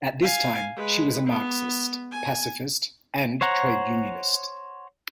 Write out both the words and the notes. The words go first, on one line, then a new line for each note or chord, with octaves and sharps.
At this time, she was a Marxist, pacifist, and trade unionist.
F5 G#5
G#3 B4
B3
G#5
C5 C#5 F#5 A#5